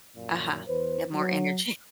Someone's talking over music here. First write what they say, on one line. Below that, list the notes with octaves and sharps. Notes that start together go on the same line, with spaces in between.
Uh-huh. You have more energy.
F#2 A#2
E2 B4 C5
F#3